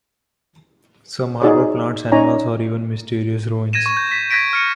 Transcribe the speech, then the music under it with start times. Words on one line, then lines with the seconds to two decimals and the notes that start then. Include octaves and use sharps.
Some harbour plants and animals, or even mysterious ruins.
1.42 D#4 F#4 G#4 C#5 D5
2.12 C#4 D#4 C#5 D5 G#5 A#5
3.73 G#6 A#6 D#7 E7
3.86 C#6
3.97 G6
4.11 B6
4.31 G6 G#6 A#6 B6 D7
4.53 F6 C#7 D#7